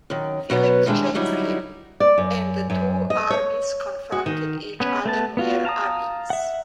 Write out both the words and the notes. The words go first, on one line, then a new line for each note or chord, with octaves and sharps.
Philip chased him, and the two armies confronted each other near Amiens.
F#2 D#3
B2 F#3 B3 B4
D#3 G3 G#3 D4 E4
D3 F#3 G3 D#4 E4
D5
F#2
F#2
D#5
C#5
F#4
D#3
B3 C#4 B4
A3 B3 A5
B3 F4 F#4
F5 A5 A#5 D#6
E5 F#5